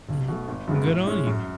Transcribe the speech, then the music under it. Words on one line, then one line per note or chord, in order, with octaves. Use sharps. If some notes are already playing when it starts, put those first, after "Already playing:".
Mhm. Good on you.
B1
B2 A3
G#1
F#2 C#3 G#3 B3
A2
G#3 C#4
F#2